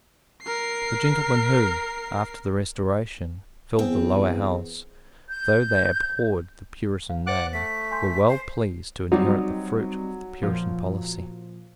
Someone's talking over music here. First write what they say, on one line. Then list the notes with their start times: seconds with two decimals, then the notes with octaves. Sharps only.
The gentlemen who, after the Restoration, filled the Lower House, though they abhorred the Puritan name, were well pleased to inherit the fruit of the Puritan policy.
0.43 A#4 C7
3.79 E2 B3 C4 G#4
5.30 G6
7.10 F5
7.27 C5 F#5 D6 F#6 A6 D7
7.53 A3 B6
7.91 G#5 C6 G6
8.28 C5
9.12 F#3 G3 C4 D#4
10.43 A#2 F3